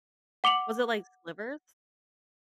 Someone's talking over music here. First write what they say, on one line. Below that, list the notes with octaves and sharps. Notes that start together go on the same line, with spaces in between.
Was it, like, slivers?
F#5 D6 C#7 F7 F#7